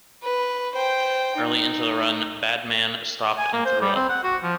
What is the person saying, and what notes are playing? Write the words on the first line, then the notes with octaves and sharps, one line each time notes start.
Early into the run, Badmann stopped and threw up.
B4
C5 G5
D#4
G#5
A#3
C5
G3
C4
F#5
F#4
F3